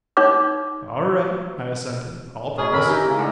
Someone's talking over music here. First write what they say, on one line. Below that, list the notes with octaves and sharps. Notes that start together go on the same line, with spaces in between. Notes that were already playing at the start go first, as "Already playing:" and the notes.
"All right," I assented, "I'll promise."
D#4 C#5 D6
B2 C#4 G#4
F2 D#3 A#4 E5 B5
E3 D#4 G4
C#3 G#3
A2 D3 D4